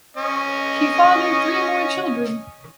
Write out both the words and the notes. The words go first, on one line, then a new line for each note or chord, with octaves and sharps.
He fathered three more children.
C#4 D#5